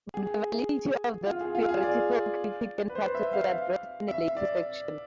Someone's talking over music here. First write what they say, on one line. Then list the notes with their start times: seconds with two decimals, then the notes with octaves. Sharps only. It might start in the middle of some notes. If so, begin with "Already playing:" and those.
The validity of this theoretical critique in practice is addressed in a later section.
0.14 G#4
1.26 F4
1.41 G#4
1.55 F4
1.69 G#4
1.83 D5
2.90 B4
2.95 C5
3.15 E5
3.33 F5
3.43 E5
3.52 F5
4.08 E5
4.37 D5